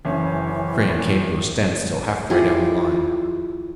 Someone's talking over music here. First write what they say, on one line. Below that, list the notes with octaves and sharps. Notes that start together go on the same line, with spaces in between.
The crane came to a standstill half-way down the line.
F#1 E3 C#4
F3 E4 G4 G#4